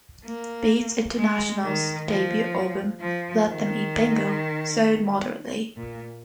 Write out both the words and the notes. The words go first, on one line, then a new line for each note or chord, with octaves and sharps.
Beats International's debut album, "Let Them Eat Bingo", sold moderately.
A#3
G#3
D#3
F3
F3
D#3
A#2